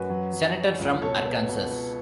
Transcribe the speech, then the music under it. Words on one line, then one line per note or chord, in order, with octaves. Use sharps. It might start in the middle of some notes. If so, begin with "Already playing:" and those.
Senator from Arkansas.
Already playing: F#2 F#4 B4
F#3
F#3
F#3
C#2
B2 A4 C#5
B3
B2
B3